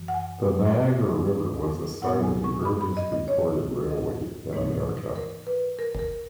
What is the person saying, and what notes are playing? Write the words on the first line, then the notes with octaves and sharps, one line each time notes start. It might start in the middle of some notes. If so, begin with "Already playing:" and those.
The Niagara River was the site of the earliest recorded railway in America.
Already playing: F#2 E3
F#5
G#5
A#2 F#3 B3 E4 F#5
G#5
C#6
B5
B5
D#5
D#5
C#5
D#5
G#2 E3 A#3 D#4 C#5
A#4
B4
A#4
A#4